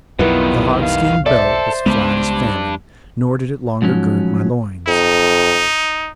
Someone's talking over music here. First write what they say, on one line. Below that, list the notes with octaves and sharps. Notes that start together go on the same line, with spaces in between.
The hogskin belt was flat as famine, nor did it longer gird my loins.
B1 F2 D#3 G3 B3 E4 F4
F5
A4 C5 D5 E5
C#2 G3 G#3 B3 D4
G#2 F3 F#3 C#4
F2 D#4